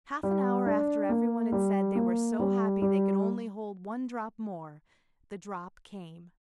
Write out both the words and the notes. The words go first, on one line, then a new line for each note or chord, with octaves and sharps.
Half an hour after everyone had said they were so happy they could only hold one drop more, the drop came.
G3
D4
A#3
G3
A#3
G3
G3